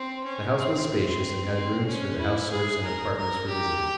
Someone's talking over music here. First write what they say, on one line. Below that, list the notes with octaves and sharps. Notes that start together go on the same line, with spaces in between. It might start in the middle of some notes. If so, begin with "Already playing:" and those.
The house was spacious and had rooms for the house serfs and apartments for visitors.
Already playing: C4
C#4
C4
C4
C4
C#4
E4
G#4
A#4
A#4
G4